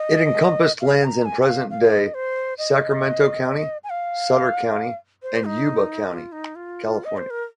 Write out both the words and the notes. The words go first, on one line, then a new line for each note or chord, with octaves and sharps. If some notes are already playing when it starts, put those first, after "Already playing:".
It encompassed lands in present-day Sacramento County, Sutter County, and Yuba County, California.
Already playing: D#5
F5
A#5
G#5
G#5
F5
F5
D#5
C5
D#5
G#5
F5
C5
D#4
F4
D#4
F4
D#5
C5
A#4